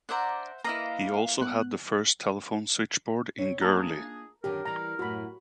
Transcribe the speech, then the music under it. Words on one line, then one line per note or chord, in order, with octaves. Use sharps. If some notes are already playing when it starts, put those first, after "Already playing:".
He also had the first telephone switchboard in Gurley.
D4 C5 D5 E5 F#5 A#5
A#3 E4 B4 D#5 F5 A#5
B3 F#6
C3 C#5 D#5
A#3 D4 D#4 F4 G#4 A5 A#5
F#2 D3 D#3 G4 A#4
E3 G3 A#5
F#2 A2 F#4 B5